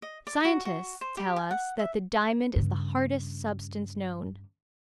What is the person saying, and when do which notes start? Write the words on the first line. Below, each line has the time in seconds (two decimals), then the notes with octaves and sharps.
Scientists tell us that the diamond is the hardest substance known.
0.02 D#5
0.27 D5
0.45 F#4
0.65 F#4
1.01 C5
1.17 G4
1.36 G#5
1.51 F#5
1.79 E5
2.56 G2 C#3